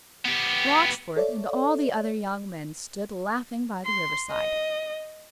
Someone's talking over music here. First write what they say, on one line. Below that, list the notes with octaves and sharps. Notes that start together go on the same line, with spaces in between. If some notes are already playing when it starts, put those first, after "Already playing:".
Rochfort, and all the other young men stood laughing by the river side.
B3 G4
A4 C#5 D5 E5
C6
D#5